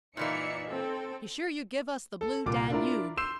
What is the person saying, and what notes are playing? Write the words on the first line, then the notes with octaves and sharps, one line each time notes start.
Be sure you give us the Blue Danube.'
A#2 E3 A#3 D#4 D5 E5 C#7
C4 A4
A4
C2 A#2 F4 D6
D4 E4 F4 A#4
C6 E6 G6 C7 E7